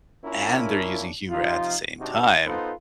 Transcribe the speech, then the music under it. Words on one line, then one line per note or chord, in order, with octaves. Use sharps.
and they're using humor at the same time,
A#3 C#4 D4 E4 F4 A#4
C3 F3 D#4 F4
G#2 C3 D4 D#4 F#4
B3 D#4 F4 A4 B4 C5